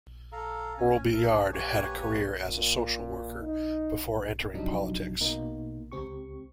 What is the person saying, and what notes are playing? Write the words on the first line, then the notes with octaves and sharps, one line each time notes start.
Robillard had a career as a social worker before entering politics.
A4 F5 A#5
C#4 G#5
A4 A#4
D4 G#4
A#3 G4 B4 C#5 G#5 C#6
A#2
D#4
G2 C3 F3 F#3 D4 D#4
B2 A#3 D#4
C#2 C4 G4 C#6